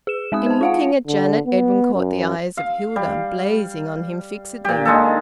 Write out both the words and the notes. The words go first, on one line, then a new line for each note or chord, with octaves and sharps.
In looking at Janet, Edwin caught the eyes of Hilda blazing on him fixedly.
G#4 E7
G#3 C4 D#4 D#6
C5 A5
F4 F5 F#5
D3
B3
F#2
F5
G3
A#2 G4
D#3 G#3 D4 A4